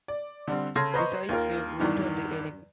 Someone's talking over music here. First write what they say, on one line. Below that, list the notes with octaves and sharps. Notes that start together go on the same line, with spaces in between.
Besides, we've routed the enemy.
D5
D3 G3 C4
C#3 A4 C6 G#6 A#6
B4 C5 D#5 A#5 C6 C#6
D#2 F4 A#4
E2 G2 D#3 E3